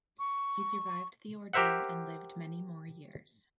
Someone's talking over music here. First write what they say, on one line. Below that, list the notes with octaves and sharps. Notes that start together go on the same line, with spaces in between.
He survived the ordeal and lived many more years.
C#6
G4 A#4 C5 E5 F#5